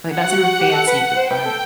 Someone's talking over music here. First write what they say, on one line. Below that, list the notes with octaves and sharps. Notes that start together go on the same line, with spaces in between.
like, not super fancy, but fun.
F#5
F#4
F#4
G4
A4
B4
C5
B4 G5
A4